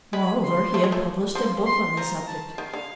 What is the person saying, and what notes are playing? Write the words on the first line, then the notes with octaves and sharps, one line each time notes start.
Moreover, he had published a book on the subject.
G#3 B5
C6
A3
G#3
A3
F3 C6
C6
F3 A#5
A5
D#3 F5
D3